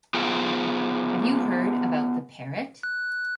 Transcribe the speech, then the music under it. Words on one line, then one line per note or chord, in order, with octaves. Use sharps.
Have you heard about the parrot?
B3 F4 G#4 C5 G5
F#6